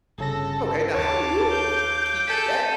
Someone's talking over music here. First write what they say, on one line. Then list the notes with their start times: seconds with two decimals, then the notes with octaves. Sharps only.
Okay. Now how do you keep that
0.18 G1 C#3 A4 A#6
0.95 D#2 C#5 F5 A5 D6
1.52 G6
2.27 G#4 A4 B6